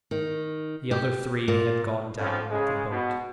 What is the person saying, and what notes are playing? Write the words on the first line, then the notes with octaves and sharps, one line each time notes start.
The other three had gone down with the boat.
D#3
G4
A#2
B1 F3 C4 C#4 A4
C#3 G#3
B2